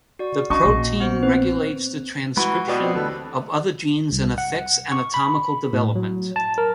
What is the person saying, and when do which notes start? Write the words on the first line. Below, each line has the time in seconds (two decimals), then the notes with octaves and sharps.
The protein regulates the transcription of other genes and affects anatomical development.
0.19 F#4 D5
0.50 C#4 D4 F#4 D#5 C#6
0.65 A#1
1.00 B3 C5
1.23 C4 B4
2.37 E3 G#3 F#4 B5
2.68 B2 G4 D5 D#5
2.80 C4
2.95 D2 E3 A4 B4
4.12 C2
4.38 F#5
4.92 C#6
5.14 B5
5.73 A2
5.95 F#3
6.36 A5
6.58 A#4